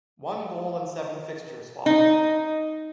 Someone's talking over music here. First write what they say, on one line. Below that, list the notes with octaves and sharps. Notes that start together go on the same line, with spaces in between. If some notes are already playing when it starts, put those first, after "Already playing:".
One goal in seven fixtures followed.
D#4